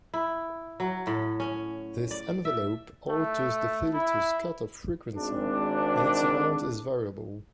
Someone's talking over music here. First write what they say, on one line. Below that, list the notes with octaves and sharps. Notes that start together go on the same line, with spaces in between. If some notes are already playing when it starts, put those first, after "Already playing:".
This envelope alters the filter's cutoff frequency and its amount is variable.
E4
F#3
A2
C#4
D5
E5
A3
E4
G#1 D4